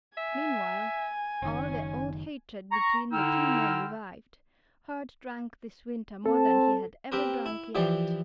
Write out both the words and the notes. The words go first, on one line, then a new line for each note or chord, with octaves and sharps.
Meanwhile, all the old hatred between the two men revived. Hurd drank this winter more than he had ever drunk yet.
E5 G#5
F#1 D#3 C#4
A#5 C#6
D3 D#4 E4 G5 E6 F6
C4 A4 A5
C4 G4 A#4 B4
E4
E3 F3 G4 D5